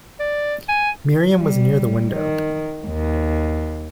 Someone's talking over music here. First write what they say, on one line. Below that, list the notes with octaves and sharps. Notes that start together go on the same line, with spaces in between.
Miriam was near the window.
D5
G#5
G3
D#3
D#2